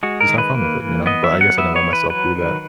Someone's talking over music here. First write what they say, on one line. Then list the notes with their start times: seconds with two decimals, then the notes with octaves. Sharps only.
"Just have fun with it," you know, but I guess I didn't let myself do that.
0.03 G#3 F#4
0.20 A#4
0.29 D#3
0.38 B4
0.54 A#3
0.80 E3
1.06 B3 D#5
1.24 E5
1.32 F#3
1.41 F#5
1.58 B3 E5
1.76 C#5
1.84 E3
1.93 B4
2.10 F#3 B4
2.35 D#3